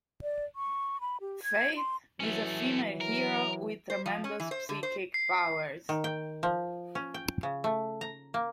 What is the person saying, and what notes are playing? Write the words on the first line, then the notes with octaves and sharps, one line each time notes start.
Faith is a female hero with tremendous psychic powers.
D5
C#6
B5
G4
G#6
C6
E3 F#3 A3 C#4
A#4
C5
F3
C#4
E3
C5
D3
C5
C7
D#3
G5
F3
C#4
G5
C#3
A3
A#5
A#3